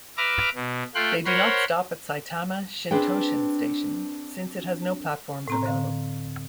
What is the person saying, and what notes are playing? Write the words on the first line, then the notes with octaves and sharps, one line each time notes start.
They do not stop at Saitama-Shintoshin Station since it has no platforms available.
B4 E5 A#5 D6 F6
B2
A3 F4 G5 C6 F#6
A#4 C5 C#5 F#5 B5 C6
C4 D4 G#4 B4 G5
A2 C4 A#5
D3 F5